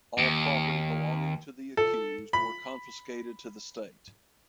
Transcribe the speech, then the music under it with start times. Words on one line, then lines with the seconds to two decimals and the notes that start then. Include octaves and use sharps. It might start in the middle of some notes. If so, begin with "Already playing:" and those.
All property belonging to the accused were confiscated to the state.
0.18 D#2
1.77 A4
2.33 B5